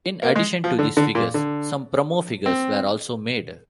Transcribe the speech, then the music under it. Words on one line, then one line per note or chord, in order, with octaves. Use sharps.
In addition to these figures some promo figures were also made.
A#3
G#3
F3
D3
D3
A#2
D3
C4